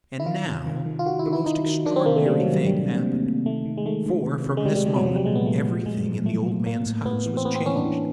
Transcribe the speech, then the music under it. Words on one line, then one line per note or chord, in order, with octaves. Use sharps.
And now the most extraordinary thing happened, for from this moment everything in the old man's house was changed.
E4
D#3 F4
C3
D#3
D#3
F4
D#3 F#4
E4
D#3
E4
D#3 D#4
D#3
D#3 D4
C4
C3 A#3
A3
D#3 G3
F#3
C3
G3
C3 G3
C3
D#3
C3
D#3 A3
D#3
G#3
D#3 A3
D#3
C3
C3
G#3
C3 G3
G3
C3 G3
F#3
F3 F#3
G3
A#2 G#3
B3
F3 A3
F3
A#2 G#3
F3
F3 A3
F3
A2 A#3
A2
A2 B3
E3
C4
A2 B3
C4
E3 C#4
D4
E3